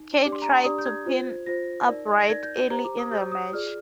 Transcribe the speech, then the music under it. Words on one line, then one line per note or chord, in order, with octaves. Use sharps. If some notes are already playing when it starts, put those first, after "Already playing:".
Cade tried to pin Albright early in the match.
Already playing: D#4
D4 G4 D5 D6
C6
A#5
C6
D4 G4 D5 D#6
G6
G#6
F4 C5
F4 C5 A#6
D#4 A#4 D5
A#6
D#4 A#4 D5 G#6
G6
G6
G4 C5 A#5
D6
D#6
G4 C5 G6
D#6
F4 G#4 D5 F6